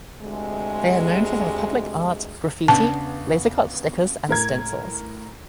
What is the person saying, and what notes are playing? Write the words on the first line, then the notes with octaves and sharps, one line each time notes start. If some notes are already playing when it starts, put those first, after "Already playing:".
They are known for their public art, graffiti, laser-cut stickers and stencils.
D2 C3 G#3
C#3 B3 D4 A5
A2 A#4 G#6